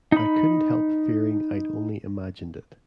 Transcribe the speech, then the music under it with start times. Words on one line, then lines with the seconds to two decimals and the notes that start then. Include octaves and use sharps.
I couldn’t help fearing I’d only imagined it.
0.12 D#4 B5